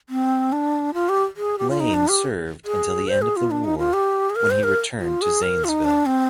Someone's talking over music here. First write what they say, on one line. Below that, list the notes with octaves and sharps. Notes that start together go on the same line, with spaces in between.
Lane served until the end of the war when he returned to Zanesville.
C4
D4
F4
G4
G#4
G4
F4
D#4
D4
G4
G#4
C5
G#4
F4
D4
D#4
F4
G4
G#4
A#4
C5
A#4
F4
G#4
A#4
F4
D#4
D4
C4